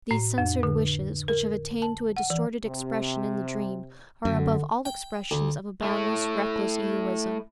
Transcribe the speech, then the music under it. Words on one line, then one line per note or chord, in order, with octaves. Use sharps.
These censored wishes which have attained to a distorted expression in the dream, are above all expressions of a boundless, reckless egoism.
A2
F2
D3
A#4
A5
F#5
E3
C3
F#2 D3
G5
D2
A3 E4 A4